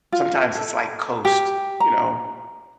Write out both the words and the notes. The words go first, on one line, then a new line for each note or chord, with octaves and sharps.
Sometimes it's like coast, you know,
F4
A4
G4
A#5